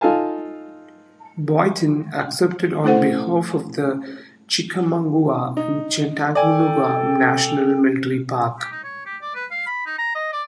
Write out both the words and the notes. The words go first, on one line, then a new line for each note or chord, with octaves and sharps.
Boynton accepted on behalf of the Chickamauga and Chattanooga National Military Park.
D#4 F4 A4 F5 G#5 A5
A3 E4 A4 C5 F#5
D#4
A4 D5 G5 G#5
G4
D#4
C#5
G4
D5
B4
F5
B5
D#4
A#5
D#5
D5